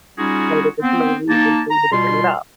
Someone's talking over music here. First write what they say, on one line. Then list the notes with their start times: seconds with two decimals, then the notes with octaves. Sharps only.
so there's no reason for you to bring it up.
0.18 G3 C#4 D#4 F4 F#4 G#4
0.82 B3 C4
1.29 A#3 D#4 A5
1.71 A#5
1.92 B2 G3 F4 C6